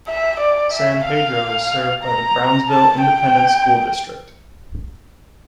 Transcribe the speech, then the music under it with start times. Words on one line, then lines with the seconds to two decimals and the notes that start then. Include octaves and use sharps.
San Pedro is served by the Brownsville Independent School District.
0.08 E5
0.40 D5
0.73 E5
1.05 F5
2.03 A#5
2.69 A5
3.02 G5